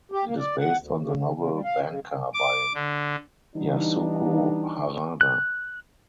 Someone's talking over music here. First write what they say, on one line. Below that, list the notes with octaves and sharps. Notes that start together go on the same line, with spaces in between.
It is based on the novel "Banka" by Yasuko Harada.
G4
A#3
D5
F#5
D2
C#3
C#3
C#3
G3
F5
C#3
D6
D3
E3 G3 B3 D4 D#4
F#6